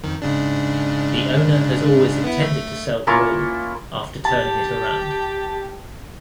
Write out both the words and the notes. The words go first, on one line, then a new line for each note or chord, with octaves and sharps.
The owner has always intended to sell the mall after turning it around.
F2 D#3
G#2 C#3 D4
B3 E4
A3
A#3 C#4 E4 F4
G4 A5